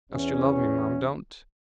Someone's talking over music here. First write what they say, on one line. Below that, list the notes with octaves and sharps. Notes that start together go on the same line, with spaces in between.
"As you love me, mum, don't!"
E2 C#4